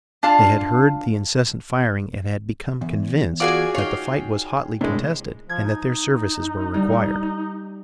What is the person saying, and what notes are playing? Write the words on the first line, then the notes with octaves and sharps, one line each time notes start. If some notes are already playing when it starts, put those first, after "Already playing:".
They had heard the incessant firing and had become convinced that the fight was hotly contested and that their services were required.
D4 F4 F5 A5
E2
F4 F#4 G#4 D5 F#5 G#5
D#4 C#5 F5 G5
A2 C3 G#3 D4
F3 G#6
D#4
G3